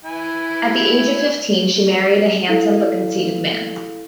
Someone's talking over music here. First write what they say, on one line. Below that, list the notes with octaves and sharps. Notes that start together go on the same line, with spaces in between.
At the age of fifteen, she married a handsome but conceited man.
E3 E4 G#5
E4 A4 F5